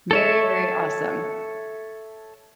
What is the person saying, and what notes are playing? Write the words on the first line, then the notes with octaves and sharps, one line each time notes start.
Very, very awesome.
A4 C#5 E5